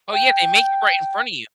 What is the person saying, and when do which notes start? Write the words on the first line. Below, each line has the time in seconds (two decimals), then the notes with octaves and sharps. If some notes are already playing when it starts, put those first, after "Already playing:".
Oh, yeah. They make it right in front of you.
0.13 G5